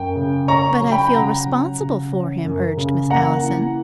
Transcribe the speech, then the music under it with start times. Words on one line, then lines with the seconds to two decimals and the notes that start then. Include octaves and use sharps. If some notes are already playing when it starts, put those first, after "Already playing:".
"But I feel responsible for him," urged Miss Allison.
Already playing: F#2 G5
0.16 C#3
0.48 C#4 A#5 C#6
0.81 F#3
0.91 G5 B5
1.14 C#3 F#5 A#5
1.46 F#3
1.79 C#3
2.12 C#4
2.45 F#2
2.77 C#3
3.10 A#3 F#5 A#5
3.43 E3